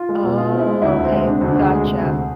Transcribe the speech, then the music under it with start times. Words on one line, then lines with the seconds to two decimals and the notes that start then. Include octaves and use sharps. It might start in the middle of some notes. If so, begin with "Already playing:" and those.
Oh, okay. Gotcha.
Already playing: F4
0.09 G#3
0.23 B2
0.38 B2 F4
0.53 C4
0.59 E4
0.67 G#3
0.82 D2 E4
0.97 D2
1.04 C4
1.11 G#3
1.26 C3 D4
1.37 D2 C4
1.48 D4
1.56 D2 G#4
1.70 G#3
1.85 C3
2.00 D2